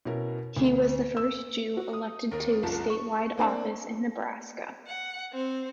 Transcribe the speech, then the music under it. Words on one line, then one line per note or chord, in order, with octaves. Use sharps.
He was the first Jew elected to statewide office in Nebraska.
B2 C#4 E4 A#4
D2
E6
F#4
D#6
D#2 A#4
F#1 C2 F3 A5
C#6
A#3 C4 D4
F#5
C4